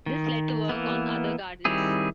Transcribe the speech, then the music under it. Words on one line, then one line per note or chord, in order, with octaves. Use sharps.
This led to work on other gardens.
D#3
E3 A#3 B3
D#3 G3 C4 E4 G#4